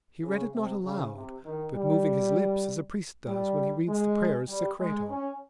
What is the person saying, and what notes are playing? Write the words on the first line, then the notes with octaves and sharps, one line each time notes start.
He read it not aloud, but moving his lips as a priest does when he reads the prayers Secreto.
C#3
C3
C#3
C3
D#3
G3
G3
G#3
G3
G#3
C#4